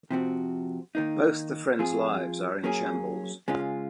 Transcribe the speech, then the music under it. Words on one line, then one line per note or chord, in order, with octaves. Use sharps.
Both the friends lives are in shambles.
C3 F3 C4 F#4
D#3 A#3 D#4
F3 C4 F4 G#4
F#3 A#3 C#4 G#4
C#3 G#3 C#4 F4